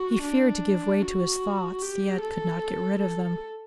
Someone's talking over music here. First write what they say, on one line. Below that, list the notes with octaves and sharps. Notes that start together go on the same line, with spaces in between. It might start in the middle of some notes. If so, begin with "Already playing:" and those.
He feared to give way to his thoughts, yet could not get rid of them.
Already playing: F#4
D4
F#4
G4
A4
A4